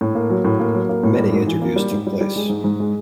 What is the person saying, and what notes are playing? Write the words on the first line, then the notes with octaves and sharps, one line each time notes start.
Many interviews took place.
A2
A#3
F#3
A2
A#3
F#3
A#3
A2
G3
G#2
E3
A#3
G3
G#2
G3
G3
G#3
G#2
G#2
G#3